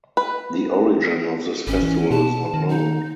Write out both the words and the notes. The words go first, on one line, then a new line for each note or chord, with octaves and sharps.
The origin of this festival is not known.
B4
G#1 C#4
E3
B2 A5
D#3
D#4